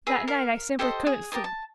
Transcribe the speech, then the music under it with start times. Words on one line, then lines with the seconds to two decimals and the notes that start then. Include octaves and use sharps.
That night I simply couldn't sleep.
0.07 G#4 B4 E5 A#5
0.28 A#4 F5
0.79 G4 A4 C5 D#5
1.07 G#4
1.32 G4 A#4 A5 D#6
1.44 A5